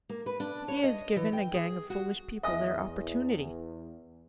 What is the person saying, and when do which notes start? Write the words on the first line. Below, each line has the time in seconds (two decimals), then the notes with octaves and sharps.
He has given a gang of foolish people their opportunity.
0.09 A#3
0.26 B4
0.40 D4
0.68 C#5
0.84 D#5
1.16 E3
1.33 G5
1.54 G#4
1.90 F#4
2.43 E2 D#5 E5 G#5 D#6